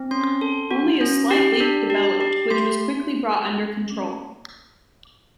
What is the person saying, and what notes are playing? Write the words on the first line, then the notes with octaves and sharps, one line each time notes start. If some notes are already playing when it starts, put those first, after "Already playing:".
Only a slight leak developed, which was quickly brought under control.
Already playing: C4
C#4 C6
A4
F#4
C#4
G4
D4
G4
G4
A3 C6